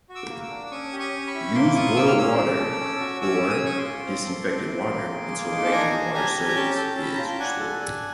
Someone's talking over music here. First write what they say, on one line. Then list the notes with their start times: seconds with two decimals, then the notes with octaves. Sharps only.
Use boiled water, or disinfected water until regular water service is restored.
0.09 F#4
0.15 D6 E6
0.30 A#3
0.43 D6 E6
0.50 D4
0.66 D6
0.71 C#4 C#6 D#6
0.92 G4
0.99 C#6 D#6
1.13 C#4
1.27 B5 C#6
1.34 E4
1.55 A#3 C6 D6
1.75 F4 C#6 D#6
1.96 A#3 D6 E6
2.07 F6
2.17 C#4 D6 E6
2.38 C#4
2.59 A4
2.81 C#4
3.00 F#4
3.21 C#4 D6 E6
3.43 G#4
3.50 D#6
3.57 E6
3.64 C#4 C#6 D#6
3.78 C6 D6
3.84 F4
4.05 C4
4.26 A4
4.48 C4
4.68 E4
4.88 A#3
5.10 G#4
5.31 A#3
5.51 D#4
5.64 A5
5.72 D4 G#5 A#5
5.93 D4
6.14 G4 G#5 A#5
6.35 G4
6.48 A#5
6.55 C#4 G5 A5
6.77 A4
6.97 C#4
7.02 B5
7.14 F4 A#5
7.27 A5
7.39 D4 F#5 G#5
7.60 A4
7.81 D4